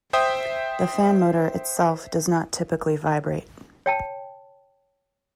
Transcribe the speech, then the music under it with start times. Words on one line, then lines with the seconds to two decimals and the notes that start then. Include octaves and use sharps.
The fan motor itself does not typically vibrate.
0.13 C5 E5 G5 D#6
3.86 C#5 G5 A5